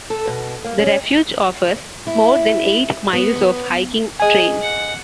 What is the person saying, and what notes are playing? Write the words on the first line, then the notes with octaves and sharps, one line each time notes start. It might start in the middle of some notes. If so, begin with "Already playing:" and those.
The refuge offers more than eight miles of hiking trails.
A4
B2
A#3
C#4
E4
B3
G#4 D#5 G#5
F#5